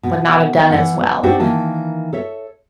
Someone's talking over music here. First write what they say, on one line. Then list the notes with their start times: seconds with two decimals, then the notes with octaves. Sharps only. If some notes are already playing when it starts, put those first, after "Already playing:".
would not have done as well
0.03 B2
0.70 E3 F#5
0.98 B3
1.23 C4 D4 D#4 F#4 G4 C5
1.40 D#3 E3 A#3 A5
2.13 A4 C#5 E5